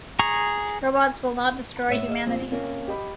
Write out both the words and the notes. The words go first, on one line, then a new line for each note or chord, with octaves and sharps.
Robots will not destroy humanity.
G#4 A#5 C#6
A2 B3 C#5 E5 E7
G#4 D#5
A#1 C4
C3 A#3 C#4
G4 D#5 B5